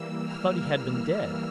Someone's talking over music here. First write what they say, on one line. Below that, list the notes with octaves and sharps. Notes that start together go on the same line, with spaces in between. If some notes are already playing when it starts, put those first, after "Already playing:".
I thought he had been dead!'
Already playing: E3 G3 A#3 E6
F6
F6